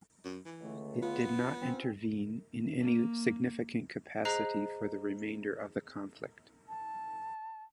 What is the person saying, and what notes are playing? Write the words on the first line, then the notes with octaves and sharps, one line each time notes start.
It did not intervene in any significant capacity for the remainder of the conflict.
F#2
E3
C#2 D3 A3
B3 F4
C4 C#4
A#3
G#4 C5 D#5 A#5 F#6 C7
A5